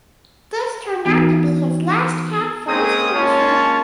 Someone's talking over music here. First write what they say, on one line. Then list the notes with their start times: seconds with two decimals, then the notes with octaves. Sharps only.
This turned out to be his last cap for his country.
1.05 E3 B3 D#4 F#4
2.67 G#3 A#3 C4 C#4 G#4 D#6
3.14 G#3 A#3 C#4 F4 C#5 A5